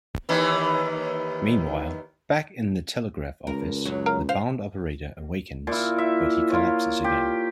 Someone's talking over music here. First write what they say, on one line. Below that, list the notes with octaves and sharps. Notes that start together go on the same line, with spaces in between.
Meanwhile, back in the telegraph office, the bound operator awakens, but he collapses again.
D#2 D#3 E3
C#2 A#4
F#2 F#3
A#4 F5 A#5
C5 F5
A#2 E4
E5
F4 A#4 C#5
G4